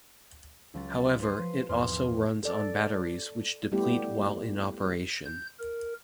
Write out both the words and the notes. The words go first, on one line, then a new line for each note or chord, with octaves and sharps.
However, it also runs on batteries which deplete while in operation.
C#2 F#3 G4 A6
B4 C6 B6 C7 D#7
F3
E1 E2 G#2 C6 D6 F6
A4 D5
G3 A3 B3 E4 G4
G6
A#4